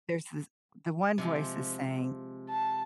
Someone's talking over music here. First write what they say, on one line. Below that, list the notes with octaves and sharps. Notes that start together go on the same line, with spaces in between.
There's this the one voice is saying,
C3 F3 G#3
A5